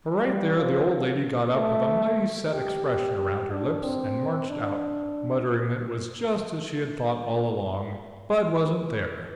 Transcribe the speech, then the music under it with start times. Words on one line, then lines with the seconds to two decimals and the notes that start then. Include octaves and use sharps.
For right there the old lady got up with a mighty set expression around her lips and marched out, muttering that it was just as she had thought all along--Bud wasn't there.
0.24 G3
0.56 F3
1.55 A3
2.53 G4
2.85 G4
3.18 G4
3.51 D4
3.84 C4
4.48 D4